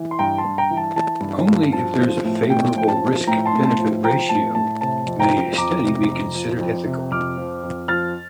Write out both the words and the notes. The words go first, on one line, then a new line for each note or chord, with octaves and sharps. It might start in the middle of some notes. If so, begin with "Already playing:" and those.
Only if there is a favorable risk-benefit ratio may a study be considered ethical.
Already playing: E3
C6
G2 G5 A#5
A5 C6
G2
G5 A#5
E3
A5
E3 A5
G2
G2
F3 A5
F3
A2
A2 G5
F3 G5
A5
F3
A2 G5 A#5
A5 C6
A2
A5 C6
F3
F3 G5 A#5
A2 A5
A2 A5
C3 A5
F2
G5 A#5
F3
F2 A#5 D6
C3
F2
F3
F2
C3
F2 D6 F6
F3
F2
F3 F6 A6